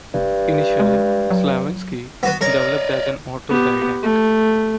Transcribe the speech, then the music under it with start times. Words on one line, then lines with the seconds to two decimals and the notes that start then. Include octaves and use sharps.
Initially Slavenski developed as an autodidact.
0.14 F1 G2
0.80 G#3
1.30 F#3
2.23 B3 F#4 B4
2.41 A#4 C#5 D5 A#5
3.49 B3 G4
4.03 A3